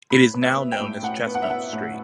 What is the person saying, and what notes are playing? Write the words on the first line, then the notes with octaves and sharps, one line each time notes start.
It is now known as Chestnut Street.
A2 B5
B3
E5
B3
G5
A2
A2 F#5
B3
F#5
E5
B3 F#5
A2